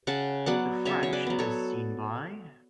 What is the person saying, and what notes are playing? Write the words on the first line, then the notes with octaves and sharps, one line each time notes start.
The French as Seen By...
C#3 F#5 A5
F#3 B3 D5 F#5
C#3 C#5 E5
C#5
B4 D5
F#3 B3
A4 C#5